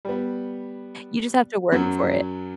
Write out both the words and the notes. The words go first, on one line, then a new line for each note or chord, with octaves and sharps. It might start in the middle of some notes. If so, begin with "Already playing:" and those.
You just have to work for it,
G3 B3
F#2 F#3